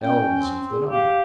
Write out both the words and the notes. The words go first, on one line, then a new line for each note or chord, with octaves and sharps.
L--was of the number.
C#4 G5
C4
G#4
G4 F5